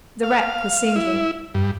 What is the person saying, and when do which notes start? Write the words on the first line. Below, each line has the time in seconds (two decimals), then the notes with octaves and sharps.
The wreck was sinking.
0.23 F5
0.96 E4
1.54 G2